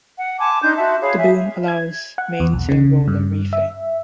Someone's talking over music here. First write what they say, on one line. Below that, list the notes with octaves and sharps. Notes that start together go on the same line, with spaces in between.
The boom allows mainsail roller reefing.
F#5
G#5 A5 C6 D6
D4 D#4 C6 G6
F#4 E5 A5 C6
G#4 C#5 F5 B5
E5 G#5
G#6
F#5
E2
B1
C#3
G2
E5